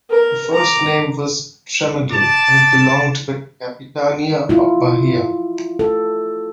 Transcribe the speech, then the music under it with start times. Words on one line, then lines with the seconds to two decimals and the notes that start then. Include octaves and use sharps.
The first name was Tremedal and it belonged to the capitania of Bahia.
0.11 A#4
0.53 A#5 D6
2.11 D5 A5
4.49 E4 F4
5.79 A4